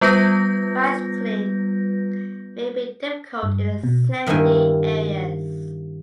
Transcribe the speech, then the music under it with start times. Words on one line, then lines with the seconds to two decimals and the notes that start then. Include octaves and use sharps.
Bicycling may be difficult in the sandy areas.
0.01 G3 B3 F4 B4 G6 A#6
3.43 G2
3.84 B2
4.26 G2 D#3 A#3 E4 G#5